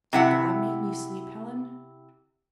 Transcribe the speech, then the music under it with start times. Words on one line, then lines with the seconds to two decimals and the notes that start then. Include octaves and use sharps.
"Did God make me sleep, Helen?"
0.13 C3 E4 F#5